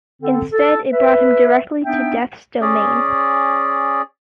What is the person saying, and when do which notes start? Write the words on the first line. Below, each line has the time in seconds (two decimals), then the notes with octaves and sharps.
Instead it brought him directly to Death's Domain.
0.22 D3 C4 A4
0.52 A4
0.92 B4 E5
1.85 B3 D4 D#4 E5 G5
2.61 C#4 G#4 D5